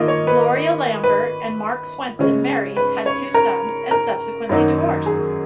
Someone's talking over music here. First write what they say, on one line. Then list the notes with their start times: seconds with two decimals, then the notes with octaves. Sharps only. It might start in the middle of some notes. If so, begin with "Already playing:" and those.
Gloria Lambert and Marc Swenson married, had two sons, and subsequently divorced.
Already playing: D#3 A#3 F4 D#5
0.08 C#5
0.27 B4
1.04 B4
2.19 C#3 G#3 C#4
2.77 B4
3.06 C#5
3.34 A#4
3.91 A#4
4.49 F#2 D#3 F#3 A#3 D#4
5.06 G#4